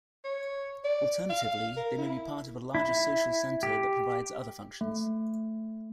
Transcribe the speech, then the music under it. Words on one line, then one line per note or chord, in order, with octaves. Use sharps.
Alternatively, they may be part of a larger social center that provides other functions.
C#5
D5
F5
A#4
E4
E4
G4
A3